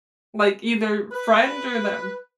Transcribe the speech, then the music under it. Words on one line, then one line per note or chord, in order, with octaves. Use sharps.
Like either friend or them.
B4